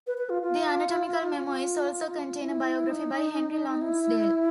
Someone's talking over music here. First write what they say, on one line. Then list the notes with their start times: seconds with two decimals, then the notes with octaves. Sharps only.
The "Anatomical Memoirs" also contain a biography by Henry Lonsdale.
0.07 B4
0.18 B4
0.30 F4
0.42 F4
1.47 F4
2.41 E4
2.89 D#4
3.81 E4